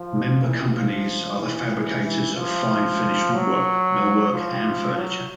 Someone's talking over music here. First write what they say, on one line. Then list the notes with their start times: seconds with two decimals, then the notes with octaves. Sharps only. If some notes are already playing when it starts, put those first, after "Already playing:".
Member companies are the fabricators of fine finished woodwork, millwork, and furniture.
Already playing: F3
0.42 E3
0.73 F3
1.38 E3
2.04 E3
2.35 F3
3.33 F#3
4.31 F3
4.96 F#3